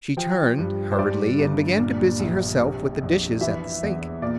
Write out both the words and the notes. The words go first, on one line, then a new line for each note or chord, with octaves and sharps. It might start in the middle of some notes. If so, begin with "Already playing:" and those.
She turned hurriedly and began to busy herself with the dishes at the sink.
F3 G5
G2
C5
G2 D5
G1
A#2
A#1
C3
F2
E3 E5
E2
A#2 D5